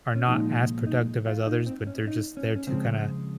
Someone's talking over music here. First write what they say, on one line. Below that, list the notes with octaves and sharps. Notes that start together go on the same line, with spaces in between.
are not as productive as others, but they're just there to kinda,
C#4
A#2 F3 G#3 D#4
D#4
F4
D#4
C4
C#4
D#4
C#4
C#4
C#3 F3 G#3 C4